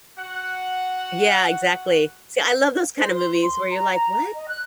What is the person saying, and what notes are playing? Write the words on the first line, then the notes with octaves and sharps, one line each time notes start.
Yeah, exactly, see, I love those kind of movies where you're like, "What,
F#4 F#5
C5
C6
C6
A#5
A#5
D#5
F#6